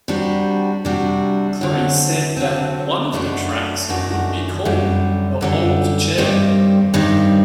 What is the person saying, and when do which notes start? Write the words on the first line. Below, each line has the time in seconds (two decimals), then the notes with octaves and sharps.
Gray said that one of the tracks would be called "The Old Chair".
0.08 C3 G3 D4 F#4
0.85 C3 G3 D4 F#4
1.61 D3 F#3 C4
2.37 D3 F#3 C4
3.12 F#2 D#3 A3 D4 F#4
3.89 F#2 D#3 A3 D4 F#4
4.65 F#2 D3 G3
5.41 F#2 D3 G3
6.18 G2 D#3 G3 C4
6.94 G2 D#3 G3 C4